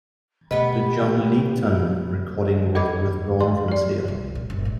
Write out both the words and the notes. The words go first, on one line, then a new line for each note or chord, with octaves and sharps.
The John Leyton recording was withdrawn from sale.
B2 A3 B3 G4 B4 D#5
F2 A4 D#5 B5 D6 G#6
C6
G4 D5
C2
A#2
F#1
G#2